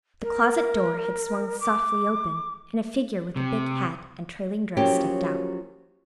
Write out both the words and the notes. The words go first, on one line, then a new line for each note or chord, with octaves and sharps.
The closet door had swung softly open, and a figure with a big hat and trailing dress stepped out.
A#4
D6
C3
F3 F#3 A#3 C#4 G4